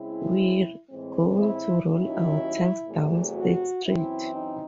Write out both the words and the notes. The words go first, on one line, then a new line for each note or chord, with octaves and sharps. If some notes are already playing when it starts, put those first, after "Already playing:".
We're going to roll our tanks down State Street.
Already playing: C#3 G#3 C4 E4
A2 E3 G#3 C4
E4
D#2 D#3 F#3 C#4 E4
E2 C3 F#3 A3
F#4
F#2 E3 C4 E4
D#4